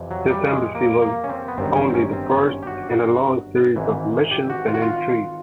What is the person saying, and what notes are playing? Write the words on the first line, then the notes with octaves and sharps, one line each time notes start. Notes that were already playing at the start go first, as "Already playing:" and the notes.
This embassy was only the first in a long series of missions and intrigues.
Already playing: F2 C3 E3
F#3
G3
G#3
A#3
A#3
C#4
C4
B3
G1 F#2 D#3 C4
C#4
C4
C#4
C4
C#4
G4
F#4
G#1 G#2 E3
G4
F#4
F4
F#4
F4